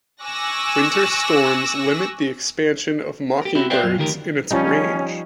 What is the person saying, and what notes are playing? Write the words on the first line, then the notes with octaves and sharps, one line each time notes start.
Winter storms limit the expansion of mockingbirds in its range.
G#5 C#6 D6 E6 F#6 A#6
G4 A#4
C4 E4 F#4 G4
B4 C5 D5 E5 F5 G5
F#2 F4
D2 D#3 G4 A#4
F3 G3 C#4 D#4